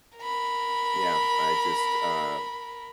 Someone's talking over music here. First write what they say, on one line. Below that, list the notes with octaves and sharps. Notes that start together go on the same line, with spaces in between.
yeah, I just, um
A#4 B5